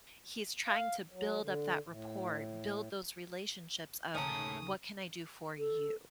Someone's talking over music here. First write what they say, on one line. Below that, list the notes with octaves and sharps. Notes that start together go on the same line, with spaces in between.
He's trying to build up that rapport, build those relationships of "What can I do for you?"
F5
F#3
D3
A2
D#2 C#3 F#3 A3 C#4 C#5 A5 D#6
A4